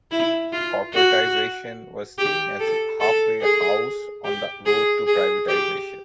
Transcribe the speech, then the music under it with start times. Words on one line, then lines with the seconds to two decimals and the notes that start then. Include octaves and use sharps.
Corporatization was seen as a half-way house on the road to privatization.
0.11 E4
0.52 F4
0.93 F#4
2.18 G4
2.60 A4
3.00 A4
3.41 G#4
4.24 G4
4.66 G#4
5.07 G#4
5.48 G4